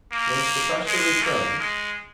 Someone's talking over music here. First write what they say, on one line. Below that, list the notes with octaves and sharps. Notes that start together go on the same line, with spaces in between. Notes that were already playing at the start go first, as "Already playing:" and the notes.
Was the pressure returned?
A#3
G#3
A#3
G#3